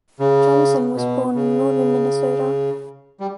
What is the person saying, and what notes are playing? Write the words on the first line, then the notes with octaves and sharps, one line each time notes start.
Johnson was born in Northern Minnesota.
C#3
B2
C#3
G3